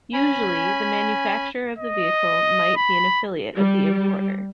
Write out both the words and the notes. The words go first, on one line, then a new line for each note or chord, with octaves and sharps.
Usually, the manufacturer of the vehicle might be an affiliate of the importer.
C#4 G#5 B5
D#5
B5
G3